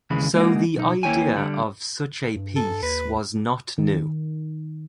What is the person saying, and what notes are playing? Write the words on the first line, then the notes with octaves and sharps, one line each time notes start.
So the idea of such a piece was not new.
D#2 C#3 E3 G#3 B5
G#3 A#3 D#4 F#4
B1 D#4
E2 A#3 E4 C#5 G5 G#5
D3 G3
G2
A4
D#2 B4
D#3